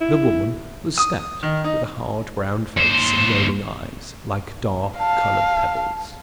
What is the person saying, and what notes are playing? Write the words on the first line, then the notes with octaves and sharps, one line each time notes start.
The woman was stout, with a hard brown face and rolling eyes like dark-coloured pebbles.
E4
D#6
D#3
D#4
D#2 C5
F5 A5